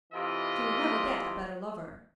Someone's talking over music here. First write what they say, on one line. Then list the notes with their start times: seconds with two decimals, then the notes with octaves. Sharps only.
"She will never get a better lover."
0.13 C3 E3 F4 A4 D#5 B5